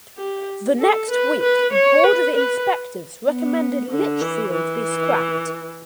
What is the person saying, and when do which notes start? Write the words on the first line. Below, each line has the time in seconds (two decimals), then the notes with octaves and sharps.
The next week the Board of Inspectors recommended "Litchfield" be scrapped.
0.17 G4
0.79 A4
1.11 B4
1.42 B4
1.73 C#5
2.04 B4
2.36 B4
3.29 B3
3.91 D3
4.21 E3
4.53 E3